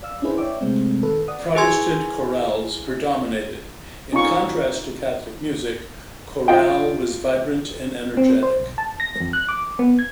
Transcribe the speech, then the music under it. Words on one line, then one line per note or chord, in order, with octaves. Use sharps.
Protestant chorales predominated; in contrast to Catholic music, chorale was vibrant and energetic.
D5 F5 E6
C#4 D4 E4 G#4 B4 C5
C#5 D5 E5 G5 D6
C3 G#3 A3 C4
A#1 D#3 A4 B4
D5 F#5 D#6
E4 G#4 B4 G#5 C6 G#6
C#4 D#4 F4 C#6
F4 D#5 G5
C4
C5
B1
A5
A#6
F2
F#6
D6
B3
G#6